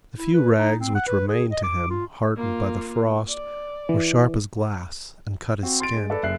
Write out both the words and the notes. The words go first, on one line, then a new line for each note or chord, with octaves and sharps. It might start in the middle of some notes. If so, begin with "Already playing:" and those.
The few rags which remained to him, hardened by the frost, were sharp as glass, and cut his skin.
E4
B4
D#4
C4
F#5
B4
G#4
D#5
D6
F4
A#3 F4
D5
E3
C4 F#4
C6 A6 D7
G#3
A4 B4 D5
F#1 F#2 E5 F#6 C7